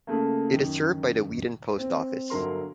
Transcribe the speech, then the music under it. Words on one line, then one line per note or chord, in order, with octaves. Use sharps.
It is served by the Wheaton Post Office.
C#3 A3 A#3
F#2 D#3
C4
G1 D3 F#3 A#4 C6